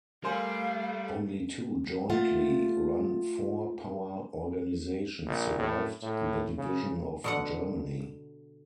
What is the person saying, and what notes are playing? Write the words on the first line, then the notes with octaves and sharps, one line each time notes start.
Only two jointly-run four-power organizations survived the division of Germany.
G3 A3 A#4 C5 F5 G#5
A3 F4 F#5
A#1
A2
A2
C#3
B2 D3 F#5